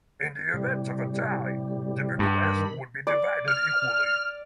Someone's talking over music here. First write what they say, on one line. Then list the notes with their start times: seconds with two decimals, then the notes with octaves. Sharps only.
In the event of a tie, the bequest would be divided equally.
0.54 A2 C3 G3
2.19 G2
2.43 D#3 B5
3.07 D5
3.48 F6